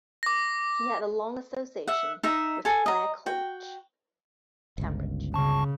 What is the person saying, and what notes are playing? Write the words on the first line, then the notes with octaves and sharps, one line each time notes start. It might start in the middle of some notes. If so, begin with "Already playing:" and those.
He had a long association with Clare College, Cambridge.
D6 A#6
E5 F#5
D#4 E5 A#5
A4 G#5
D#5 A#5
F#4 G5
G1 C#2
C#3 A5 C#6